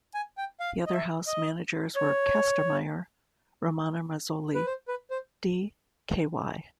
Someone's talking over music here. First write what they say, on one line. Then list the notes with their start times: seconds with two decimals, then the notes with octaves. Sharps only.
The other House managers were Kastenmeier; Romano Mazzoli, D-Ky.
0.14 G#5
0.38 G5
0.60 F5
0.86 D#5
0.93 E5
1.27 D#5
1.96 C#5
4.55 B4
4.66 C5
4.88 B4
5.11 C5